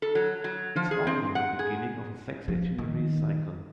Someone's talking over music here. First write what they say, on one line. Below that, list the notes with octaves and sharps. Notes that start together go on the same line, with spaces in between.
It's also the beginning of a Sexagenary cycle.
A4
F#3
F#3
F3
G#4
C4
F#5
G#4
F3
D#3